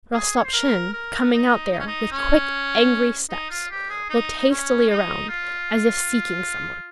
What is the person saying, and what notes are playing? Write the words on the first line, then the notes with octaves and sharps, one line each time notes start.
Rostopchin, coming out there with quick angry steps, looked hastily around as if seeking someone.
G#4
C#5
C5
A#4
A#4
D#4
D#4
C#4
D#4
C#4
D#4
F4
G4
G#4
D#4
D#4
C#4
D#4
F4